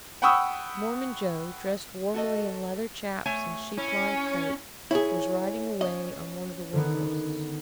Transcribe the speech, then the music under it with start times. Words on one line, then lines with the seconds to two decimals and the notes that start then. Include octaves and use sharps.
Mormon Joe, dressed warmly in leather "chaps" and sheep-lined coat, was riding away on one of the work horses.
0.22 F#5 G5 B5 C#6 D#6 E6
2.14 F#4 A4 D#5
3.25 A3 C#5 G#5
3.77 C#4 E4
4.91 E4 G#4 C#5 G#5
5.81 C#4 D#5
6.73 D3 D#3 B3